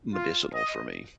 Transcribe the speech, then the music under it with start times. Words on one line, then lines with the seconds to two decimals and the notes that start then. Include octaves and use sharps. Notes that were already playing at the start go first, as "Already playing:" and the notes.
medicinal for me.
0.14 F4
0.55 D#5